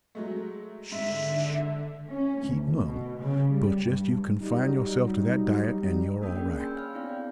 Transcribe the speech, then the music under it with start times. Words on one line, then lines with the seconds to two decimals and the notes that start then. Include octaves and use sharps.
Sh!--keep mum, but just you confine yourself to that diet and you're all right.
0.15 F#3 G#3 A3
0.92 G#2 D3 E5
2.10 C#4
2.44 D2
2.84 B2
3.22 C#3
3.53 G3
3.85 G2
4.40 F#3 G3 D#4
6.21 A#3 C#4 D4 G#4 D#6 G6
6.34 C#4 G#4 A#4 D5 G5
6.58 G5 G#5 B5 C6 E6 G6
6.74 C#5 F5 F6
6.93 B3 C4 D4 E4 D5 F5
7.07 G#4 G5 G6